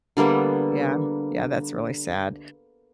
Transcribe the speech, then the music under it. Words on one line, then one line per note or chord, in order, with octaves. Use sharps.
Yeah. Yeah, that's really sad,
D3 G3 A#3 B3